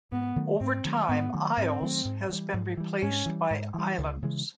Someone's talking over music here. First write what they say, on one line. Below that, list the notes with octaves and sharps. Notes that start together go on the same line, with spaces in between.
Over time "Isles" has been replaced by "Islands".
G#2 B3
D#3 F#3 A3
G#2 C4
D#3 F#3 A3
G#2 B3
D#3 F#3 A3
G#2 C4
D#3 F#3 A3
G#2
E3 G3
G#2
E3 G3
G#2 C#4
E3 G3
G#2
E3 G3
C#2
C#3 E3 G#3